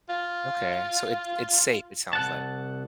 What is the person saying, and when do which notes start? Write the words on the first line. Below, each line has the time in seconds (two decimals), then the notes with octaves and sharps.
Okay. So it it's safe, it sounds, like.
0.09 F4
2.13 C2 F#5 A5